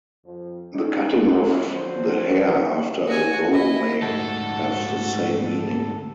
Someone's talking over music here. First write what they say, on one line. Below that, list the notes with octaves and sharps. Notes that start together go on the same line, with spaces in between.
The cutting of the hair after a vow may have the same meaning.
F2 F3
G2 C#3 G3 D#4
A#2 F#3 B3 D4 F4 F#4
D3 F3 F#3 C4 C5
F#4 G#5
E4 D#5
D2 G#2 A3 F#4 A4